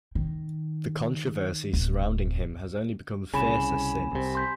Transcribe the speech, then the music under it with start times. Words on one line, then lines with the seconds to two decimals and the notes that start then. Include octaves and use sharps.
The controversy surrounding him has only become fiercer since.
0.15 D#3
1.73 D1
3.34 C2 C#3 G#5 B5 E7
4.12 C2 C3
4.35 C6 G6 B6